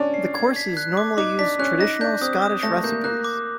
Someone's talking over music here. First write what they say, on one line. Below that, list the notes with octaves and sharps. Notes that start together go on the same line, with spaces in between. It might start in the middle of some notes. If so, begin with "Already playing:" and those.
The courses normally use traditional Scottish recipes.
Already playing: C#4 D4
C7
G#6
B6
F#6
D6
D#4 D6
D4 B6
C#4 F#6
D#4 A#6
D4 G6
C4 D#6
D#6
A3 A#6
A#3 G6
A#3 F#6
D6